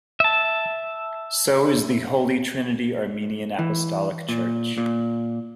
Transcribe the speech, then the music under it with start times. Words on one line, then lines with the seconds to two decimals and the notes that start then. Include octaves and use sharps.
So is the Holy Trinity Armenian Apostolic Church.
0.20 E5 A5
3.59 E3
4.29 A#2
4.78 A#2